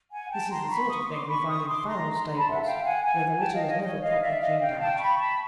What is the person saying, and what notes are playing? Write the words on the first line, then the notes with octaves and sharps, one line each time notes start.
This is the sort of thing we find in foul stables, where the litter is never properly cleaned out.
F#5 G#5
G5 A5
A#5 C6
B5 C#6
C#6 D#6
D#6
C6 D6
B5 C#6
C#6 D#6
C6 D6
A#5 C6
A#5 C6
A5 B5
E5 F#5
F5 G5
F#5 G#5
F#5 G#5
G5 A5
D#5 F5
C#5 D#5
C#5 D#5
D#5 F5
D5 E5
D#5 F5
F5 G5
G5 A5
B5 C#6
A5 B5